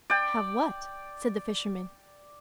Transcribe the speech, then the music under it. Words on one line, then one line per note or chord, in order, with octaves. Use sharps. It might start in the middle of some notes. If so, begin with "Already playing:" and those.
"Have what?" said the fisherman.
D5 G5